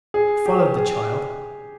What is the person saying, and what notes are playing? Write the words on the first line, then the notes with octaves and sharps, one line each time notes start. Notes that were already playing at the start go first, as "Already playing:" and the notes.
I followed the child.
G#4
G4
G#4